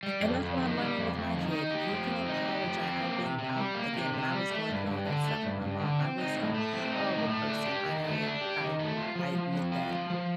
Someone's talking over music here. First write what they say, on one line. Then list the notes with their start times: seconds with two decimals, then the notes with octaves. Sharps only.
And that's what I'm learning with my kid. You can apologi I've been I again, when I was going through all that stuff with my mom, I was a horrible person, I I I I admit that.
0.03 G3
0.20 F2
0.40 F2
0.58 D#3
0.77 G3
0.96 F2
1.15 F2
1.33 D#3
1.51 D#4
1.71 G4
1.89 F3
2.07 C4
2.25 D#4
2.44 G4
2.63 F3
2.81 C4
3.01 A#3
3.19 C3
3.38 C3
3.56 G3
3.75 A#3
3.93 C3
4.13 C3
4.31 G3
4.50 A3
4.69 G2
4.87 G2
5.06 D3
5.24 A3
5.43 G2
5.61 G2
5.80 D3
5.99 C4
6.18 D#4
6.36 A2
6.54 A3
6.73 C4
6.92 D#4
7.11 A2
7.30 A3
7.49 D4
7.66 G4
7.86 D#3
8.04 A3
8.23 D4
8.41 G4
8.61 D#3
8.79 A3
8.97 F4
9.15 F3
9.35 F3
9.53 C4
9.72 F4
9.91 F3
10.10 F3